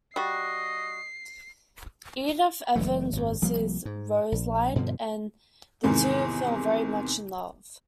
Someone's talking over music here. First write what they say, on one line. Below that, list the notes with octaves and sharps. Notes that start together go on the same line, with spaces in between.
Edith Evans was his Rosalind and the two fell very much in love.
G3 F#4 D#5 C7
F#1 F#2 E3 A3
G#1 F#2
C2 F3 G3 A#3
G#2
A#1
G2 B2 D3 F3
E2 G#2 C3 D#3